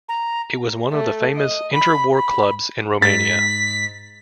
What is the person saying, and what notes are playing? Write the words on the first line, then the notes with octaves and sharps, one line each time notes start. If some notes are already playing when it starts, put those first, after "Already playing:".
It was one of the famous inter-war clubs in Romania.
A#5
A3
D#5
B5
B5
G#2 A6 B6